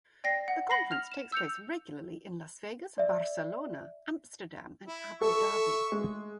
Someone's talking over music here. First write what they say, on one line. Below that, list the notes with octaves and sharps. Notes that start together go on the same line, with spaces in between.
The conference takes place regularly in Las Vegas, Barcelona, Amsterdam, Abu Dhabi.
D5 G5 A#6 C7
F#5
F#5 B5 A#6 C7
B5 F6 F7
E7
E6 G6 C#7 F7
D5 E5
E4
A4 E5 C#6
G#3